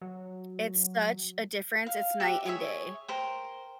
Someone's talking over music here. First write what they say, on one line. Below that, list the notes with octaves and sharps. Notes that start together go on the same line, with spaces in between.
it's such a difference, it's night and day.
F#3
F5
F#4 G4 E5
G#4 C#5 E5
A#4 C5 G5